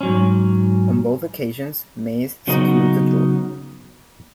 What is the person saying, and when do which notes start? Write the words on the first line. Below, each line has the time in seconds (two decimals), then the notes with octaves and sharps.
On both occasions Mace secured a draw.
0.01 G#2 F#3 C#4
2.47 C#3 F#3 B3 D#4